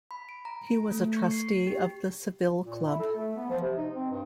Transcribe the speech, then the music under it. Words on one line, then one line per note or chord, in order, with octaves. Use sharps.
He was a trustee of the Savile Club.
B5
D7
A#5
D7
A3
C#6
C7
G4
A#2
E4
A4
A3
B3
F3
C3
D#4
C4
G2